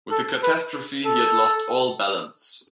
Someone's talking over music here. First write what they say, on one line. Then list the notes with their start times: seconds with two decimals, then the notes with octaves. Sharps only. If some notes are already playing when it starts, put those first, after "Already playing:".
With the catastrophe he had lost all balance.
0.11 A4
0.43 B4
1.06 A4